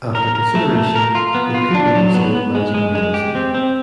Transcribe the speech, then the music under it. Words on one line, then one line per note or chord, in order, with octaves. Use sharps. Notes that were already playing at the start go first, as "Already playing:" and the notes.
After consideration, it could be considered magic realism.
A#4
A#4
A3
A3
A#4
F4
B3
F4
D4
F#3
B3
B3
G#3
G#3
G#3
G4
C4
C4